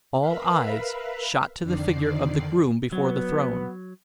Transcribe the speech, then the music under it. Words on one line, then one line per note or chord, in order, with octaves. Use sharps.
All eyes shot to the figure of the groom before the throne.
A#4 B4 E5 F5 B5
F2 D3 D#3 D5 C7
F#3 B3